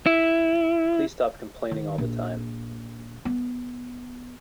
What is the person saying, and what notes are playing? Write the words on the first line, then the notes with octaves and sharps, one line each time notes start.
Please stop complaining all the time!
E4
D#3
A#1
B3